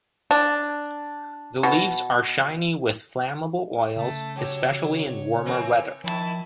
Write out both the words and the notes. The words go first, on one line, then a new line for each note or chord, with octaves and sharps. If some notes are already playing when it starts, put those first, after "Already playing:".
The leaves are shiny with flammable oils, especially in warmer weather.
D4
B2
C#3 A3
F#3 G4 C#5 E6
C#5
E3 C4 A#4
D#3 F3 E4 A5